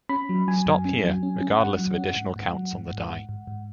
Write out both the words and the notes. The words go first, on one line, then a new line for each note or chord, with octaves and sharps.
Stop here, regardless of additional counts on the die.
C#4 B5
F#3
F#3 G#5
F#2
C#4
F#3
C#4
C#4
G#2 F#5
F#3
C#4
G#2
G#2
F#3
G#2
G#2
G#2
G#2
G#2